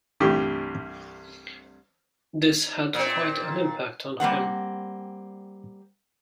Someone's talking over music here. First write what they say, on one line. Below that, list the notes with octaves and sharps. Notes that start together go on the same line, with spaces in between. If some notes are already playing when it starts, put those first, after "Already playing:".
This had quite an impact on him.
C2 G2 E3 A3 G4
A#2 C4
G3 A#3 C4 F#5